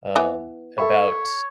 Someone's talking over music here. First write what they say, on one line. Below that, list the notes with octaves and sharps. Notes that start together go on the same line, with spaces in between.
um, about
E3 B3
A4 C#5 E5 B5